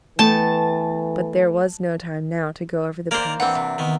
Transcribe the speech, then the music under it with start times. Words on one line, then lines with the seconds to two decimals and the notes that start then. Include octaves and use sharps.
But there was no time now to go over the past.
0.19 E3 A3 B3 G5 A5
3.11 A#3 A#4 C5 D5 A#5
3.40 E3 C4 D4 F#5
3.55 C3
3.78 D#3 B3